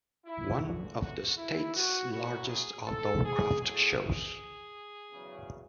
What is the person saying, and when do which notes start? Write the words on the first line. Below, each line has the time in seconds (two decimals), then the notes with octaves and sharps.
One of the state's largest outdoor craft shows.
0.26 E4
0.63 E2 D3 A3 F#4
1.01 F#4
1.38 E4
1.75 F#4
2.12 A2 F#3 C#4 E4 F#4
2.49 G#4
2.87 A4
3.24 G#4
3.61 A2 F#3 A3 C#4 E4 G#4
3.98 G#4
5.10 E2 C#3 F#3